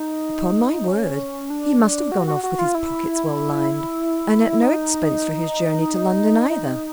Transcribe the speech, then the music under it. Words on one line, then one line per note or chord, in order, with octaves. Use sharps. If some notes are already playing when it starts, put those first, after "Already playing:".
"Upon my word, he must have gone off with his pockets well lined, and at no expense for his journey to London either!"
Already playing: D#4
C#4
D4
F#4
F#4
F#4
F4
E4
D#4
D#4